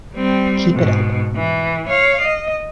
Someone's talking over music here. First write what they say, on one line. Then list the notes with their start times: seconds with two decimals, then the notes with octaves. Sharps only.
Keep it up!
0.15 G3 C4
0.74 G#2 B2
1.36 E3
1.89 C#5 F5
2.22 D#5